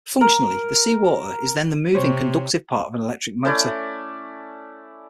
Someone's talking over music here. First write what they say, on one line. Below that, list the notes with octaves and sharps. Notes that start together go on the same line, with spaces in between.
Functionally, the seawater is then the moving, conductive part of an electric motor.
A#4
C3 C5 C#5 C#6
A3 C#4 E4 D5